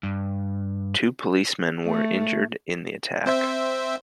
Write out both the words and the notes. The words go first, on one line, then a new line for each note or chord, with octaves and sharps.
Two policemen were injured in the attack.
G2
A3
C4 C5 E5